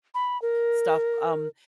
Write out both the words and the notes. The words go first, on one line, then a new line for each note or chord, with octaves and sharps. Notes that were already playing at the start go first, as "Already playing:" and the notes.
stuff, um,
B5
A#4